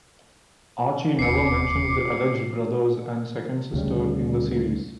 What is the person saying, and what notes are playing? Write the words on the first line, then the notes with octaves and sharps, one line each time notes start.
Archie never mentions the alleged brothers and second sister in the series.
E1 D#2 D6 C7 C#7
D2 C#3 G3